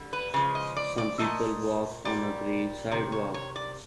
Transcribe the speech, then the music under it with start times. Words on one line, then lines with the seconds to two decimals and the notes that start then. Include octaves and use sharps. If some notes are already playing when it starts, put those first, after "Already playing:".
Some people walk on a gray sidewalk.
Already playing: D3 G3
0.13 B4
0.34 C#3 F3 G#3
0.55 D#5
0.77 D5
0.98 D5
1.19 F#3 A3 D#5
1.24 A#2
2.05 A#2 G3 D5
2.91 C3 D#3
3.12 C#5
3.34 C#5
3.56 D5